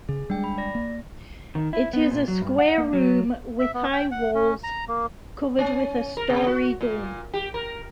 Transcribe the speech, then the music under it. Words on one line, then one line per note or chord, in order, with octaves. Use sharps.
It is a square room, with high walls, covered with a starry dome.
C#3 G#4
G3 G#3 D4 G5
B5
D5 A#6
A#3
D#3
E4
B3
A#2
F#3
G2
F#5
A#3
F#3
E5
B3
G5
F#5
C#4
A#5
A#3
C#4
A#4
C3
F#4
A#2
G4
A#4